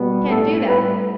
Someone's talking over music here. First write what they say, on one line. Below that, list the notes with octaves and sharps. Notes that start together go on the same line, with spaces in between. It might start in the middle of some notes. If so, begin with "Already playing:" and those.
Can't do that.
Already playing: B2 G3 B3
A2 A3 A4
A2 G3 B3 B4